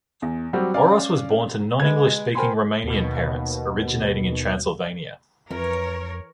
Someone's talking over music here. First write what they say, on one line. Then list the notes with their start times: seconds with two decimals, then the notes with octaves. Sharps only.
Oros was born to non-English speaking Romanian parents, originating in Transylvania.
0.22 E2
0.53 F#3 G3 C4 F#4 G4
0.74 C#4 D5 F5
1.80 G#3 B4 G#6
2.35 A#4 C5 G5 G#5 B5 C6
2.84 D#2 B2
5.51 F2 E3 A#4 C#5